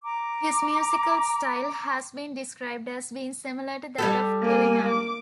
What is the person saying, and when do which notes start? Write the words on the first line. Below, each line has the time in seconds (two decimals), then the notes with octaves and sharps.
His musical style has been described as being similar to that of Telemann.
0.04 A#5 D6
3.98 G3 G4 A4
4.42 A#3 G#5
4.89 D6